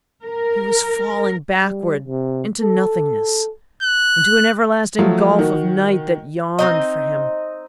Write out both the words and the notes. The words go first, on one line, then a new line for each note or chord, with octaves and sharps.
He was falling backward into nothingness, into an everlasting gulf of night that yawned for him....
A#4
G3
C3
A4
F#6
F3 F#3 A3
D#3 F#4
C4 D#4 D#5